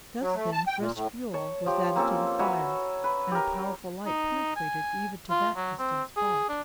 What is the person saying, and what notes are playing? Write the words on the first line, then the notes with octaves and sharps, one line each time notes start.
Just then fresh fuel was added to the fire, and a powerful light penetrated even to that distant spot.
F#3
A3
A5
G5
A#2
A2
C#5 A5
F3 G4
A#3 C4 C#4 A4
F#4 B4 C#5 E5
B4
G4 A#4
D#4
G#5
F4
F#3
C4
G#4
D4